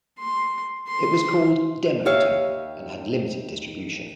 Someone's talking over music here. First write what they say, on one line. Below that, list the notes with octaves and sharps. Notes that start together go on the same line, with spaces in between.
It was called "Demo Tape" and had limited distribution.
C6
C6
D#2 G4 C#5 E5 F5